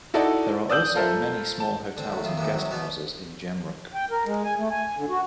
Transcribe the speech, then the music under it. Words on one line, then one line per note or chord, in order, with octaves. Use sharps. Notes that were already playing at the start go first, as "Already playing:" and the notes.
There are also many small hotels and guest houses in Jemruk.
D#4 E4 F#4 A4 D5
D5 D#6 E6 G6 F#7
F4 A4 A#4 C5 E5
A5
D3 C4
A2 F#3
D#3 E4 F4
A2 C3 D#3 E3 A#3
C2 C3 F#3
B2 B3 D5
G5
A#4
G#3
G#5
A3
G#5
D3
F#4